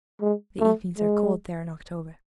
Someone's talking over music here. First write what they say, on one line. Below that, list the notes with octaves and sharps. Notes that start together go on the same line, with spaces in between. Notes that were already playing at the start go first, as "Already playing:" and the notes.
The evenings are cold there in October.
G#3
A3
G#3